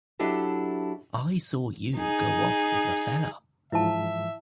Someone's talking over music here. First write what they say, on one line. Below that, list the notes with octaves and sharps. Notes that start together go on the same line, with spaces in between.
I saw you go off with a fellah.
F#3 D4 E4 G4 A4
D#4 G#4
G#2 E3 F3 E4 E5 A5